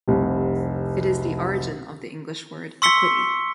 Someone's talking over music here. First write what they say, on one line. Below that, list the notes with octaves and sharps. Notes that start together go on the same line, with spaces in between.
It is the origin of the English word "equity".
F1 C2
C6 C#6 E6 B6 C#7 G7